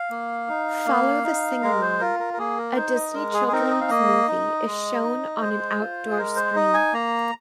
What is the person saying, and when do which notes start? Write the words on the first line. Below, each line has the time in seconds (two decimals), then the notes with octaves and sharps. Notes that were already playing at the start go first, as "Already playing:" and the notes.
Following the sing-along, a Disney children's movie is shown on an outdoor screen.
Already playing: F5
0.11 A#3
0.48 D#4
0.86 A#3
1.24 D#4
1.62 G#3 A#4
1.82 C5
2.00 F4 A#4
2.20 A#4
2.34 A#4
2.38 A#3 G#4
2.58 A#4
2.76 D#4 C5
2.95 D#5
3.14 G#3 A#4
3.33 G#4
3.48 G#4
3.52 C4 D#4 A#4
3.71 D#5
3.81 F5
3.89 A#3 D#5
4.28 D#4
4.66 G#3
5.04 D#4
5.41 G#3 C5
5.80 F4
6.10 G#4
6.17 G#3 A#4
6.36 C5
6.56 D#4 D#5
6.74 G#5
6.93 A#3 A#5